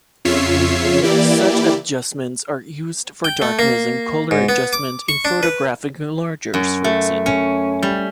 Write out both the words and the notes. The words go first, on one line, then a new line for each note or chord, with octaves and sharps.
Such adjustments are used for darkness and color adjustment in photographic enlargers, for example.
F2 C#3 F4 C#5 E5 C7
E3 A#3 E4 G4 D5
G5
A3
A#3
G#2
B3
D6
C#6
D4
B4
F#2
A3
C#4
G3